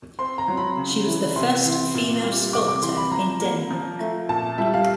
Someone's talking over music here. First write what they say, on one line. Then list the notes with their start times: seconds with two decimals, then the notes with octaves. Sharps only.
She was the first female sculptor in Denmark.
0.19 C4 C6
0.38 A#5
0.48 F#3
0.57 B5
0.77 C#3
1.07 E3
1.36 C3 C6
1.66 E3
1.94 A#2
2.23 G3
2.53 C3 D6
2.68 D6
2.82 E3 C6
2.97 B5
3.12 F3 A#5
3.41 A#3
3.71 F3
4.00 A3
4.29 A#2 A5
4.58 G3 E5
4.74 F5